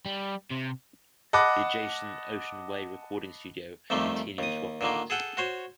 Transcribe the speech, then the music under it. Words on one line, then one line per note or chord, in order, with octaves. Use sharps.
The adjacent Ocean Way Recording studio continues to operate.
G3
C3
D#5 F#5 A5 B5 D6 F#6
F2 C3 D#3 G3 A3
D#2 D#6
A#2 D3 D#3 A#3
G#4 A4 F#5 G5
F#4 C5 C#5